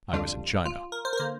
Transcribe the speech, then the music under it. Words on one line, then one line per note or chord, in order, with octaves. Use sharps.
I was in China.
F2 D3 G3 D4 F4
F4
A#4
C5
A#4
D3 A#3 C5